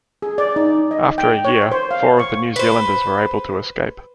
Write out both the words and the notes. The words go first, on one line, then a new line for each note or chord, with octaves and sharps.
After a year, four of the New Zealanders were able to escape.
G#4
D5
D#4
D#5
G5
C#5
C5
F5
C#6
B4 C5